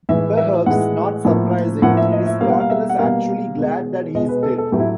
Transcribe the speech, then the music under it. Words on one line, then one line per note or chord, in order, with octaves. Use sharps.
Perhaps not surprising, his daughter is actually glad that he is dead.
A2 E3 G#3 E5
E5
A2 E3 G#3 F#5
A2 F3 A#3
A2 F3 A#3 F#5
E5
D#5
E5
B2 G3 A#3 F5
F#5
F5
E5
F#5
B2 G3 A#3 F5
B2 G#3
B2 G#3 D#5
B4
A4
A4
A2 F#3 A3 G4
E4